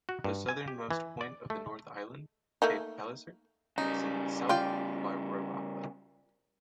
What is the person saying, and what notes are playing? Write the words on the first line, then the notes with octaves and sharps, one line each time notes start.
The southernmost point of the North Island, Cape Palliser is in the South Wairarapa.
F#4
G2
G#5
G4
E3
D5
A3
A3 A#3 D#4
C#3 G3 D#4
F4 D5 G5